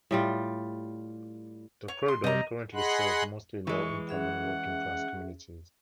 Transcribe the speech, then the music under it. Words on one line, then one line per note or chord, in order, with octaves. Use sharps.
The corridor currently serves mostly low-income and working-class communities.
A2 G3 F4
C#5
C6
C3 G3 D#5 A#5
G#4 D#5 F#5 B5 C6 F#6
E3 G#3 C#6
C#4 G#4 E5 F#5